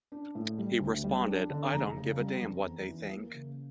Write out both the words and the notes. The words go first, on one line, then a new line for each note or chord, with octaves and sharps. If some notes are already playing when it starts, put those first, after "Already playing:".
He responded, I don't give a damn what they think.
D4
A2
G3
D2
G3
D4
D3
F1 A#5
C#3
G3
F2
E2
E3
A#3
C#3